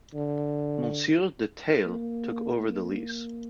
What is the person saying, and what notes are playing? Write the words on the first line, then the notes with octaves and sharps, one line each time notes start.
Monsieur de Theil took over the lease.
D3
A#3
A#3